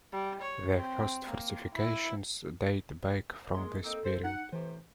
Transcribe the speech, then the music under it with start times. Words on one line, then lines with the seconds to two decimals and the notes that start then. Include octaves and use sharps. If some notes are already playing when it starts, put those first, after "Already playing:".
The first fortifications date back from this period.
0.12 G3
0.41 C#5
0.76 C4
1.27 A#3
1.74 E4
3.54 G#3 A#3 C6
3.84 A#3 C4 D#4 A4
4.05 C5
4.24 D#4 F#5
4.53 A2 C3 E3 C5